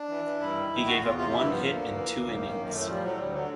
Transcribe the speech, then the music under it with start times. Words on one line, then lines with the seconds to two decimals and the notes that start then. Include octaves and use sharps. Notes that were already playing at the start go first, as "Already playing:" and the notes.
He gave up one hit in two innings.
Already playing: D4
0.09 E3
0.25 E3
0.40 G2 E4
0.56 D#3
0.72 D#3
0.86 E2 F#4
1.02 E2 F4
1.17 C3 F4
1.32 G2 E4
1.44 A#3
1.49 F3 B3
1.64 D3 A#3
1.79 D2
1.94 E3
2.09 D2
2.25 F#2
2.41 D#3
2.57 F#2
2.67 A#3
2.71 A2 A3
2.86 F3 G3
3.02 A2 F#3
3.17 D2 G3
3.33 D3 F#3